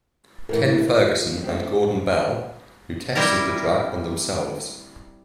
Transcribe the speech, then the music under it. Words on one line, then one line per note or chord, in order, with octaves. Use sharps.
Ken Ferguson and Gordon Bell, who tested the drug on themselves.
E2 A2 E3 A#4
F#2 A2
F4 D#5
A3 C4 G4
G3 C4 E4 A#4